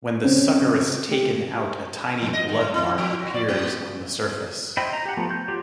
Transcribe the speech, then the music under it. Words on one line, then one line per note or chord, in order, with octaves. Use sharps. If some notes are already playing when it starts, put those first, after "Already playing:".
When the suckeris taken out a tiny blood mark appears on the surface.
C#3 C4 C#4
A3 G4
F3
D#5
D#3
A3
E4
F3
F#4
D5
A#3
E4 C5 D#5 G5 B5
A#5
G4 F#5
F3 A3 B3
G6
F#3 F4 G4